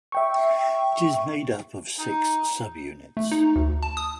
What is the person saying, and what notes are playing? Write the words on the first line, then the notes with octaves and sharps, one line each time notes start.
It is made up of six subunits.
E5 G5 C#6
D#4
A3
D#4
D2
A5
D#6